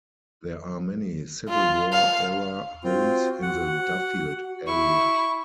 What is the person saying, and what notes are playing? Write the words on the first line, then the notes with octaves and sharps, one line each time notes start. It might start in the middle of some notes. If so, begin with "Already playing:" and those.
There are many Civil War-era homes in the Duffield area.
F4
F5
C4 F4 F#4
F#5
E4 C#6